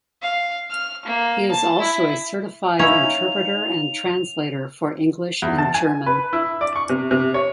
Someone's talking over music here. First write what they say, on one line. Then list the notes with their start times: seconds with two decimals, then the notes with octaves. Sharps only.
He is also a certified interpreter and translator for English and German.
0.22 F5
0.71 F6
1.05 A#3
1.51 A5
1.81 E4
2.79 C#4 D#4 E4 F5 A#5 F7
5.42 E2
5.58 A5
5.74 G#5
6.06 B4
6.33 E4
6.61 D5
6.75 C#6
6.89 C3
7.11 C3
7.34 C#5